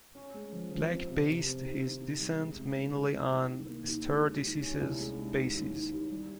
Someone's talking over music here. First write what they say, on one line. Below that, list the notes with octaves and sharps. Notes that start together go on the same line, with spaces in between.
Black based his dissent mainly on "stare decisis" basis.
C#4
G#3
F3
F3
C4
C3
C3
C4
D#3
D#3
D#3
G3
G#3
C3
D#3
G#3
C3
C2
D#3
A#3
D#2
G#3
D#2
D#2
C#4
C2
G#3
G#3
D#2
D#2
D#2
D#2
G3